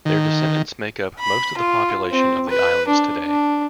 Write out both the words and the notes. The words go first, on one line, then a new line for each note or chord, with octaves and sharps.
Their descendants make up most of the population of the islands today.
D#3
B5
F4
C4
B4
D4
D4